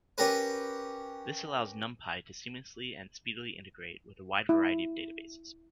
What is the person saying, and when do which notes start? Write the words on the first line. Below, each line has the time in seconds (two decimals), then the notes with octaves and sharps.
This allows NumPy to seamlessly and speedily integrate with a wide variety of databases.
0.18 C#4 G4 A#4 B4
4.49 E4